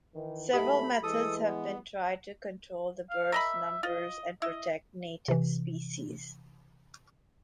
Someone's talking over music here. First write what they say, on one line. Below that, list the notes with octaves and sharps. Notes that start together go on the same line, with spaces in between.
Several methods have been tried to control the bird's numbers and protect native species.
D#3 E3
G#2 F#3 A3 G4 D#5 F#5 B5
E3 G#3 A4 D#6
B3
F5
A#4 D#5 E5 B5
F4 D#5
E4 D#5
C3 E3